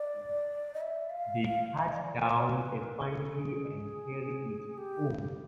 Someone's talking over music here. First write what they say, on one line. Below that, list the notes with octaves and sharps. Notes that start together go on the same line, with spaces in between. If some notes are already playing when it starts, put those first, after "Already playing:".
They cut down a fine tree and carry it home.
Already playing: D5
D#5
E5
F5
D#5
D5
C#5
D5
C#5
B4
A#4
G#4
A4
G#4
G4